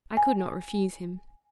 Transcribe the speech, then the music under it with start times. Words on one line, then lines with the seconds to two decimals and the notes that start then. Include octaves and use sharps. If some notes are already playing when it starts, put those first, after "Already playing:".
I could not refuse him.
0.17 G#5